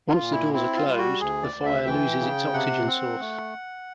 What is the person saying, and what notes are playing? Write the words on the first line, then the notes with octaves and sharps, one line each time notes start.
Once the doors are closed, the fire loses its oxygen source.
F4
A#2
E4
C4 E4
F4
G3
F#4
D2 G#4
D5
D2
E5
E3 G5
C#3
C3 F#5
C4
A3